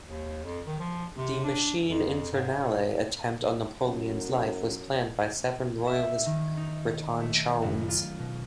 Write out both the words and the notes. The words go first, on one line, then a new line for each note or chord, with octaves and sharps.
The "machine infernale" attempt on Napoleon's life was planned by seven royalist Breton chouans.
D#2
F2
D#3
F3
C3
D4
F2
G#2
A#2
F#2
E5
D#3
D#4
A3
F#1
F4
B2